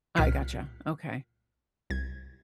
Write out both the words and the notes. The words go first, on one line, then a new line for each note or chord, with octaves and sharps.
I gotcha, okay.
C2 A#2 F6 B6
C2 G#6